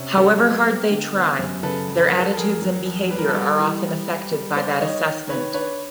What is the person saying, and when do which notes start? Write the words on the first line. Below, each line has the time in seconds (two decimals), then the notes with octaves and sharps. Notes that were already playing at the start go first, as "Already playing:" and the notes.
However hard they try, their attitudes and behaviour are often affected by that assessment.
Already playing: C3 C#4
0.17 F#3 G4 A4
0.41 B3
0.67 B3
0.91 D3
1.14 B3
1.39 F#2
1.63 C#3 A4 B4
1.88 F2
2.00 B4
2.10 F#3 A#4
2.19 A4 B4
2.36 F2 G#4 A#4
2.62 F#3
2.86 F2
3.10 G3 B4
3.19 A#4
3.28 A4 B4
3.34 G3
3.59 E3
3.84 G3
4.08 G3
4.32 G3
4.56 G3 C5 D5
4.80 D#3 C#5 D#5
5.05 D#3
5.29 D#3 B4 C#5
5.54 D4 B4 C#5